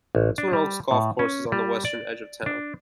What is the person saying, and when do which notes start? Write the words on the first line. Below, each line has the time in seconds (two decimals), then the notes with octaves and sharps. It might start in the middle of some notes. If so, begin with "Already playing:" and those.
Twin Oaks Golf course is on the western edge of town.
0.15 A1
0.38 D4
0.53 G3
0.91 A2
1.19 C#4
1.52 G3
1.85 D5
2.46 D4